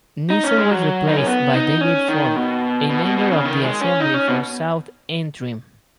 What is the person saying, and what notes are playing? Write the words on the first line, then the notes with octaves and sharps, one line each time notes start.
Neeson was replaced by David Ford, a member of the Assembly for South Antrim.
D#4
C#4
G#3
F#3
D#4
C#4
B3
D#4
C#4
D#3
B2
B2
B2
B2
C#3
D#3
G#3
C#4
D#4
C#4
B2